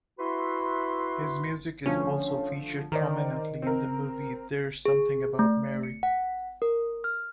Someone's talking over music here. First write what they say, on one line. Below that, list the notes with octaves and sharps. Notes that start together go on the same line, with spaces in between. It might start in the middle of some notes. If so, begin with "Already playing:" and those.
His music is also featured prominently in the movie "There's Something About Mary".
E4 F#4 B4 E5 B5 C6
D3 F3 A3 C#4
D#3 A#4 C5 D5
C4 A#4
G#4
A3
C#7
F#5
A#4
F6